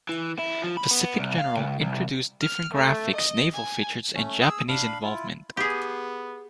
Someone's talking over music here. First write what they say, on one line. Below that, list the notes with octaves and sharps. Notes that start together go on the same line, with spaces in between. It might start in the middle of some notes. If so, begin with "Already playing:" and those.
"Pacific General" introduced different graphics, naval features, and Japanese involvement.
E3
E4
F3
B5
B3
C2
F5
C#2
C2
F6
A3
D#5
G#5
A3 C#4
G#4 E6
D4 F5 B5
E4 F4
B3 G4 G#4